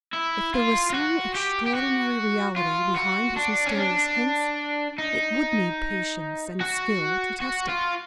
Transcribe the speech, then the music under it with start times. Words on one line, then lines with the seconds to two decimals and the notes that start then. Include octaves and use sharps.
If there was some extraordinary, reality behind his mysterious hints, it would need patience and skill to test it.
0.13 E4
0.54 F4
0.90 F4
0.94 F#4
1.35 G4
1.66 G4
1.75 F#4
2.56 F4
2.96 F#4
3.37 D4
3.66 C#4
3.77 D4
4.98 D#4
6.61 F#4
7.42 F#4
7.69 F4